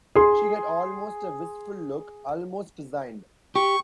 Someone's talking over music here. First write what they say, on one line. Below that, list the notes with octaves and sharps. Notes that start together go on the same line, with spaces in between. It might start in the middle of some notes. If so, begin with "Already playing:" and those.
She had almost a wistful look, almost resigned.
G#4 C6
G4 C#6